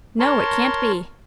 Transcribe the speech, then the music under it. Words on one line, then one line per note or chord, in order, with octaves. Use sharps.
No; it can't be!
A#4 C#5 A5 A#5 C6